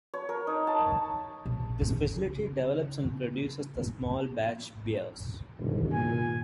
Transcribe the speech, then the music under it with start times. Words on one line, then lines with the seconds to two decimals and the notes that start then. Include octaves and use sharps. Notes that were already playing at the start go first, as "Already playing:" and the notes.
This facility develops and produces the small-batch beers.
0.14 C#5
0.29 A#4
0.47 D#4
0.67 A5
1.46 A#1
1.81 C#3
5.60 E1 G2 C3 D#3
5.92 A#2 G#5